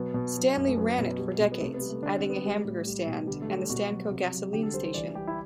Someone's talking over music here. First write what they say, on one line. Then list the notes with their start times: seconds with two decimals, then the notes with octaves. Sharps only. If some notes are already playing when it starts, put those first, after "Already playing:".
Stanley ran it for decades, adding a hamburger stand and the Stanco gasoline station.
Already playing: B2 F#3 B3
0.14 B2
0.36 F#3
0.57 F#2
0.67 A3
0.77 F#3 B3
0.98 B2
1.18 G3
1.40 B2
1.52 B3
1.60 C3 A3
1.74 B3
1.81 G3
1.89 A3
2.02 D3 D4
2.16 C4
2.23 G3
2.30 B3
2.45 G3
2.65 A2
2.87 G3
3.07 B2
3.27 D3 G3
3.42 A3
3.49 G3
3.70 B2 F#4
3.90 F#3
4.11 C3
4.32 F#3
4.53 D3 G4
4.63 A4
4.74 G3 C5
4.84 C5
4.94 E3 D5
5.15 G3 G4
5.27 E4